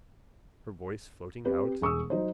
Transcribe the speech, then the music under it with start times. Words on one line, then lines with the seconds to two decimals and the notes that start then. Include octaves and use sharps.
Her voice floating out.
1.45 C4 G4 B4
1.81 E1 G#4 C#6 D#6 E6
2.10 F#3 D#4 C5